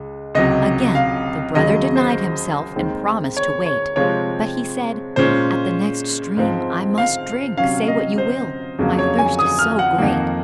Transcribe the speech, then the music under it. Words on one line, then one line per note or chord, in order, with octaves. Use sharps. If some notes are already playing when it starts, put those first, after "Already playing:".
Again the brother denied himself and promised to wait; but he said, "At the next stream I must drink, say what you will, my thirst is so great."
Already playing: C#2 G#3
C#2 C3 F#3 D#5
F5
D#2 C#3 F#3 D#5
C5
D#2 D#3 G#3 C4
C#5
C#5
C3 F3 G#3 C4 C#5
A#2 G#3 C#4 C5
G#2 F3 C4
F5
C3 F#3 C#4 F5
D#5
C5
F2 C#3 F#3 A#3
C#5
G#5
D#6
F6
F#5
F2 D#3 A#3